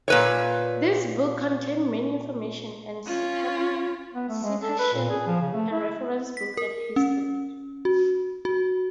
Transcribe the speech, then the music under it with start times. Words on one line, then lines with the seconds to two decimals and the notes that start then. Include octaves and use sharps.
This book contain many information and citation and reference book and history.
0.08 A#2 B4 C#5
3.06 C#4 F4
4.14 B3
4.29 A3
4.43 G#3
4.62 A4
4.79 B4
4.93 A#2
5.10 G#4
5.26 F3
5.41 C#3
5.54 A3
5.71 E4
6.37 B6
6.57 A#4
6.96 C#4
7.85 F#4
8.45 F#4